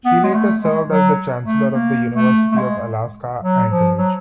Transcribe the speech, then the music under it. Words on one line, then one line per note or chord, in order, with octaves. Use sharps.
She later served as the chancellor of the University of Alaska Anchorage.
B3
G#3
A3
G#3
F#3
A3
A#3
A3
A3
G#3
F#3
F3
F#3